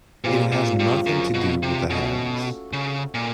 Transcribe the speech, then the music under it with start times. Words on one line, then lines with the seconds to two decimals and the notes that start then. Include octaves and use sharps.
It has nothing to do with the hands.
0.24 A#2 G3 C4 F4 G#4
0.52 A#2
0.80 G2
1.07 F#2
1.34 B2
1.63 C3
1.89 B2 A3 C#4 F#4 A4
2.73 C#3
3.14 A#2